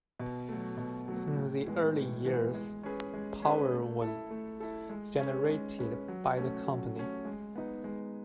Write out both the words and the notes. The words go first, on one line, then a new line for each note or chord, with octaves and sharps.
In the early years, power was generated by the company.
B2
F#3 A3
B2
F#3 A3
A2
E3 G#3 B3
A2
E3 G#3 B3
G#3
C#4 G#4 B4
G#3
C#4 G#4 B4
A3
E4 A4
A3
E4 A4
G#3
C#4 G#4 B4
G#3
C#4 G#4 B4
F#3
A3 C#4
F#3
A3 C#4
G#3
B3 D#4
G#3